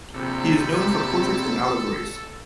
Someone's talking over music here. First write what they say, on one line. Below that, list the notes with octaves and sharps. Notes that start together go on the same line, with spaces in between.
He is known for portraits and allegories.
A#1 C3 G4 A4 G5 B5